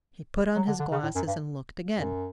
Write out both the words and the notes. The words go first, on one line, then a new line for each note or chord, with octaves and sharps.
He put on his glasses and looked again.
F#3
D3
D3
C#3
A2
F#2
G2
F#2